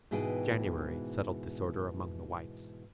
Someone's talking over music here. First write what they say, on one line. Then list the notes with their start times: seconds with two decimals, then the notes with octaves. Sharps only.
January settled disorder among the whites.
0.11 G#2 B2 E3 G#4 G5